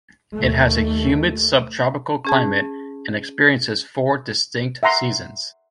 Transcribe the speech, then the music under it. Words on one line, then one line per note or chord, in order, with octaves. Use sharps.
It has a humid subtropical climate and experiences four distinct seasons.
D#2 A3
C#4 G#4 A5
E5 F#5 A#5 C6